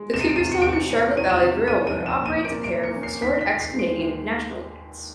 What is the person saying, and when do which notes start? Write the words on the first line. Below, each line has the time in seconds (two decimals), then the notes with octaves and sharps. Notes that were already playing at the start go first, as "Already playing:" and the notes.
The Cooperstown and Charlotte Valley Railroad operates a pair of restored ex-Canadian National units.
Already playing: G#3
0.14 C3 E7
0.21 D#7
0.29 D7
0.36 D#7
0.40 E2
0.52 C#7
0.62 C3 D7
0.73 C#7
0.90 E2
1.16 E2 D#7
1.29 E7
1.42 C3
1.68 C#4 D#7
1.87 D#7
1.93 F3
2.06 E7
2.19 A#2
2.26 D#7
2.45 A#3 D7
2.64 D7
2.71 A#3
2.83 C#7
2.96 C#4
3.03 C7
3.22 D#2 B6
3.41 B6
3.48 D#2
3.60 C7
3.73 G#3
3.79 D7
3.99 D#2